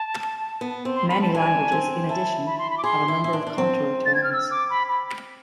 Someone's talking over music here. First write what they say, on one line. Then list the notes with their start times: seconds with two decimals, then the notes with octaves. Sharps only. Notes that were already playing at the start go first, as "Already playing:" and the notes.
Many languages in addition have a number of contour tones.
Already playing: A5
0.61 B3
0.85 C4
0.96 C6
1.09 C4 B5
1.22 A5
1.35 D4 G#5
1.72 C4
2.09 E4 A5
2.47 B5
2.59 C6
2.70 B5
2.78 D6
2.84 G#4 C6
3.08 E4
3.24 E4
3.33 D4
3.47 D4
3.58 C4
4.06 A6
4.15 G#6
4.24 F6
4.33 E6
4.51 D6
4.70 B5
4.89 B5